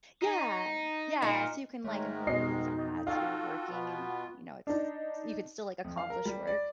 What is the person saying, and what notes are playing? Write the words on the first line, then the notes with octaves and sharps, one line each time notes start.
Yeah. Yeah, so you can, like, move as you're working, and, you know, it's s you could still, like, accomplish work,
D#4
A#2 D#4
G#2 D#3 G#3 A3 C#5
F2 B2 D#4 D#5 C7
F4 F#4 A4 F5 G5
B2 B3
D4 D#4
F2
F5
A#4
G3
D5